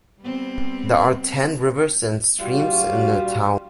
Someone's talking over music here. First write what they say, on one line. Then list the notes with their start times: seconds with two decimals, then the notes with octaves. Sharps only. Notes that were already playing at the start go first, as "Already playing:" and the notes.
There are ten rivers and streams in the town.
0.20 G3 B3 C4
2.40 A#1 G3 F4 F#4